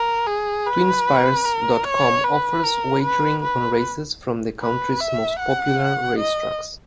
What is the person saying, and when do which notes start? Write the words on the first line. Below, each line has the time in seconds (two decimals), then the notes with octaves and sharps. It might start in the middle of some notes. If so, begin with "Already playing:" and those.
TwinSpires dot com offers wagering on races from the country's most popular racetracks.
Already playing: A#4
0.27 G#4
0.67 B4
1.45 A#4
1.85 C#5
2.24 B4
2.64 A#4
3.03 B4
3.43 B4
4.61 B4
5.00 E5
5.39 F#5
6.19 D#5